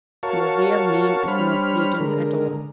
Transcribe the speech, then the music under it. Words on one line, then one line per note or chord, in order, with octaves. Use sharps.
Your real name is not Breton at all.
F#4 A#4 C#5 F5 A5 C#6
G3 D4 C5 C#5 B5 F6
D3 G#3 A#4